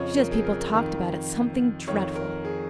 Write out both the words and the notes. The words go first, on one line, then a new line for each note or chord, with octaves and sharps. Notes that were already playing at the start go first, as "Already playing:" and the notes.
She says people talked about it something dreadful.
Already playing: F2 C#3 F3 C#5 D#5
A#4
G#4
A#4
A#4
F2 D#3
F2 D#3 C#5
A#4
G#4